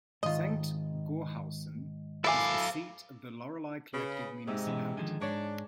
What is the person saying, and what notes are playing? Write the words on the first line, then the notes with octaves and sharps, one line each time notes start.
Sankt Goarshausen is the seat of the Loreley collective municipality.
G#2 D#3 F4 D#5
E4 A4 A#4 E5 F5 G#5 D6
C#3 B4
G#2 C3 D#4 E6
B2 E3 C#4
D3 D#3 F3 G#5
G#2 D4 C#5